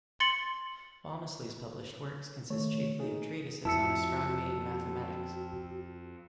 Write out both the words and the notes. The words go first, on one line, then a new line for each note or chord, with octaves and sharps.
Walmesley's published works consist chiefly of treatises on astronomy and mathematics.
C6 A6 C#7 F#7
D#3 A3 C#5
D#4 G#4
F2 E4 F#4 A5 E6 C#7